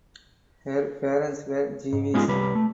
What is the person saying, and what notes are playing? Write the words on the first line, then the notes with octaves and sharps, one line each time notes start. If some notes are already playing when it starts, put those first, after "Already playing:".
Her parents were Jewish.
G#2
G#3 B3 C#4 D#4 F4 G#4
C2 G3 B4
A3